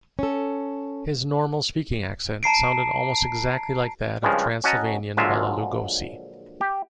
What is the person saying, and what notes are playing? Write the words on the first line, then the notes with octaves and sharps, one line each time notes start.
His normal speaking accent sounded almost exactly like that of Transylvanian Bela Lugosi.
C#4 A4
A5 A#5 C7 D7
G2 C#3 F3 G#3
C#4 F#4 D#5 A5 A#5
A#1 D3 F#3 G#3 F4 E5
G4